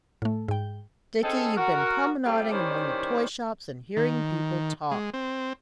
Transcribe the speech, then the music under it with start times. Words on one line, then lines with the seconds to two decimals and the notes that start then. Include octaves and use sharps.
Dickie, you've been promenading among the toy-shops and hearing people talk.'
0.22 A2 A3
0.48 G#2 G5
1.22 C4 C#4 D#4 G#4 A4
1.57 F#4 A#4
2.26 G3 A3 C4 F4 G4
2.51 D#3 G3 C#4 E4 C5 D5
3.97 D#3
4.91 G#3
5.14 C4